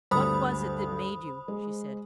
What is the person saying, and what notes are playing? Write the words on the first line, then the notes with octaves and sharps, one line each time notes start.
"What was it that made you?" she said.
D2 G2 C5 B5 D#6
G#3